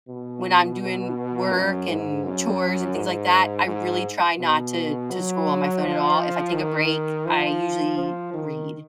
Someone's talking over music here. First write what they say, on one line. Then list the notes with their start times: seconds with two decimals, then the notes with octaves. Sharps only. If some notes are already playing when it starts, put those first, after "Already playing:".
when I'm doing work, and chores, and things like that, I really try not to to scroll on my phone at all. If I take a break, I usually read.
0.09 B2
1.52 F#2
1.88 G#2
2.24 F#2
2.95 G#2
3.68 G#2
4.39 B2
5.11 F#3
5.82 F3
6.54 D#3
7.26 F3
7.98 F3
8.34 D#3